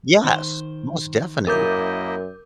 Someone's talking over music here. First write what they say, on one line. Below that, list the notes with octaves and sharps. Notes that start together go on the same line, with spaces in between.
Yes, most definitely.
D#3 C5
F#2 A#3 E4 A#4 D#5 D6 G6